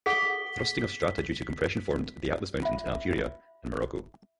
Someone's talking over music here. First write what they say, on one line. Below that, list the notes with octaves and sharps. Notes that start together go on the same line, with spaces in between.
Thrusting of strata due to compression formed the Atlas Mountains in Algeria and Morocco.
G#4 A4 F#5 B6 G7
F4 E5